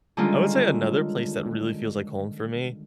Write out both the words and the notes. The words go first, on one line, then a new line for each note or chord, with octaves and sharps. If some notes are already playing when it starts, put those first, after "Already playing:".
I would say another place that really feels like home for me,
D3 D#3 G3 G#3 C#4 F4